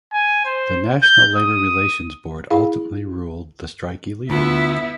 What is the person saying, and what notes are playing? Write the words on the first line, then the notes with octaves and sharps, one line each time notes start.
The National Labor Relations Board ultimately ruled the strike illegal.
G#5
C5
G6
D#6
E4 G#4 F5
D2 B3 E4 F4 E5